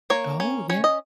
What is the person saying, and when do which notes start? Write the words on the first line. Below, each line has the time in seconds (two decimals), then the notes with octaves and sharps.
Oh, yeah.
0.10 A#3 C#5
0.40 C#4
0.70 C#4 C#5
0.84 D#5